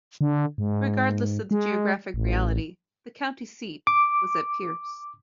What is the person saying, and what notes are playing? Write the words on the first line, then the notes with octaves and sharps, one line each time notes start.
Regardless of the geographic reality, the county seat was at Pierce.
D3
G#2
G#3
A1
D6